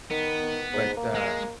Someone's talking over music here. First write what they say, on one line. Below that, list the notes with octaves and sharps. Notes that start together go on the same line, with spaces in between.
But, uh
D#3 B3
G#2
A#3
G#3